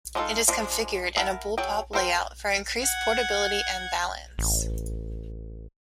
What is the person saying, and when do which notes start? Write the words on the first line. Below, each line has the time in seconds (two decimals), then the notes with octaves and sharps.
It is configured in a bullpup layout for increased portability and balance.
0.15 G#3 D4 D#4 F4 A4
0.48 F3 G#3 D4
1.16 E4 A#4 F#5 A5
1.58 F#3 G#4 A4 G5
1.93 A4 A#4 C5 G5
2.84 F#5 G#6
4.38 A1